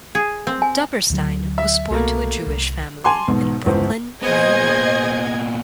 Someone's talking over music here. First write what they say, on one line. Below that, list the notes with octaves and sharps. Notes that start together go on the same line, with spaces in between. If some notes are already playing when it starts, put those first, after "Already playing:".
Duberstein was born to a Jewish family, in Brooklyn, New York.
G#4
C4
G#5
D2 D3 F#3
E5
C2 B2 A3 A#3
C2
G#5 A5 C6 D6
B1 G#2 B2
G1 C#2 E3 C5
A#2 B3 G#4 C5 D#5 G#6